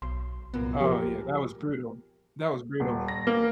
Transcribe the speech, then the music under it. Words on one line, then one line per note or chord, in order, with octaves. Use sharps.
Oh, yeah, that was brutal. That was brutal.
B1 C6
C2 F#2 A#2 A#3 B3
F3 G4 G#4 A#4
D#1
A#6
A#3